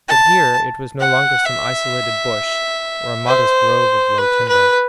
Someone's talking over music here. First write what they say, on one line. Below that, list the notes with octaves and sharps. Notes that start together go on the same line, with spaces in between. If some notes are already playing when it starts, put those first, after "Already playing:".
But here it was no longer some isolated bush or a modest grove of low timber.
A5
F#5
E5
C5
B4
B4